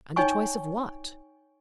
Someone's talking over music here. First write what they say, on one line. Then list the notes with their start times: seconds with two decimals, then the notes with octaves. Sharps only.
And a choice of what?
0.16 D#4 C#5 G5 G#5 C#6